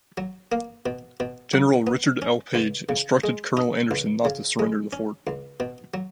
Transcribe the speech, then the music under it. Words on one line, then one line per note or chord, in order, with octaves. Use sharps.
General Richard L. Page instructed Colonel Anderson not to surrender the fort.
F#3
A#3
B2
B2
F#3
B3
C#4
C#2
C#3
G#3
D#4
C#2
C#3
G#3
C#4
C#2
B2
F#3